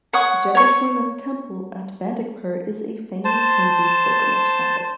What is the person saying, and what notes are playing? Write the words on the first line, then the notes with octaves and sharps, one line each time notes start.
Jageshwarnath temple at Bandakpur is a famous Hindu pilgrimage center.
C#5 F#5 C#6 D#6
C#5 C#6
C5 A5